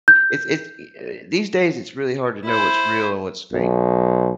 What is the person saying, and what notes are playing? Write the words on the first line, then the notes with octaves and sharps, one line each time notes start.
It's it's eh, uh, these days, it's really hard to know what's real and what's faked.
G6
E4 C5
B1